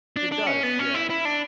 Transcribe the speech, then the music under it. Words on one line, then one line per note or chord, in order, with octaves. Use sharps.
It does, yeah.
D4
D4
C#4
B3
C#4
E4
E4
D4